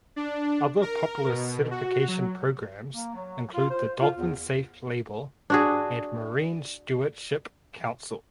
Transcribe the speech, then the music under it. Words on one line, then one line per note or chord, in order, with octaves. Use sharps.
Other popular certification programs include the dolphin safe label and Marine Stewardship Council.
D4
A#4
B2
F#4
F#3
A#3
F#3
F4
C5
F4
E2
D4 F#4 G#4